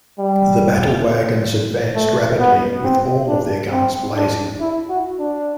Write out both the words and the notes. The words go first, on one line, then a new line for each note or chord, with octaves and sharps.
The battle wagons advanced rapidly, with all of their guns blazing.
G3
A3
B3
C4
D4
C4
D4
E4
F#4
D4